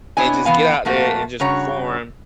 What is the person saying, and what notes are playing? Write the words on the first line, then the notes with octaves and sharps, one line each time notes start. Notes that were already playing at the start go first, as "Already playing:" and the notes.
and just get out there and just perform
B3 D4 E4 C#5 D#5 G#5
E3 B3 F5 G#5
F2 A#2 A3 A#3 F#4
G2 C#3 F#4 C#5 A#5